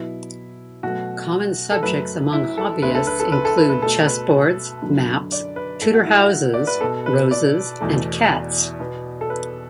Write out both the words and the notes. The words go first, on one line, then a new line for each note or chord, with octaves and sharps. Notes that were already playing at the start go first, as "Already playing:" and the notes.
Common subjects among hobbyists include chessboards, maps, Tudor houses, roses and cats.
Already playing: B2 F#3 B3 E4
B2 F#3 A3 F#4
A4
F#2 F#3 A3 B4
E4
A4
D2 D3 A3 B4
A4
B4
A4
B4
A4
B4
B4
B2 A3 A4
B4
F#2 D3 F#3
D5
B4
A2 A3 A4
F#4
E4
F#4
D5
B4
B2 B3 A4
B4
D5
E2 B2 A3
B2 B3
A4
B4